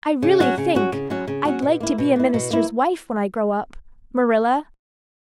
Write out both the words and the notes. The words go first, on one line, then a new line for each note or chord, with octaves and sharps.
I really think I'd like to be a minister's wife when I grow up, Marilla.
C#3
F#3 C#4 F#4
C#3
F#3 C#4 F#4
C#3
F#3 C#4 F#4
C#3
F#3 C#4 F#4
B2
A#3 E4
B2
A#3 E4
B2
A#3 E4